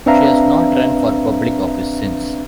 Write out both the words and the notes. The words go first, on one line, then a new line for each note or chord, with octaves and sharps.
She has not run for public office since.
C4 D4 B4 E5 F5 A#5